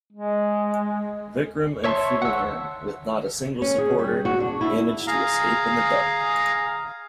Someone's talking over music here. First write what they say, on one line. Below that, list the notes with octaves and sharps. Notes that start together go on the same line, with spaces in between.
Vikram and Phoolan, with not a single supporter, managed to escape in the dark.
G#3
C#5 E5 A5 C6 C#6
F#5 E6
C#4
G#4
G3
F#4
D4
E4
G#4 F5 A#5